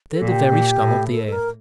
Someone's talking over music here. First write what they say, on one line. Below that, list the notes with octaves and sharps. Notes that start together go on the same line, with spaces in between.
They're the very scum of the earth.
A4
A#2
F#4
G4
A#2
A2
A4
A4
A#4